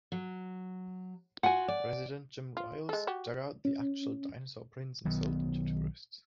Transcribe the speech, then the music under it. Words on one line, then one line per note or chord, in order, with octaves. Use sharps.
Resident Jim Ryals dug out the actual dinosaur prints and sold them to tourists.
F#3
F4 F#4 F#5 G#5
D5
F4
G#3 A4
F#4 G4
C#4
B1 D#3 B3